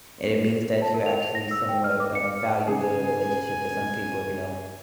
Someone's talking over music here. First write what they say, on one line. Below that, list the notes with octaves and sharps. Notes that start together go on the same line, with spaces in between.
And it means that you actually somewhat, uh, value the relationship, 'cause some people, you know,
A5
A#4
F7
F7
A#6
E6
G5
F6
D6
C#7
C#3 G#4 G#5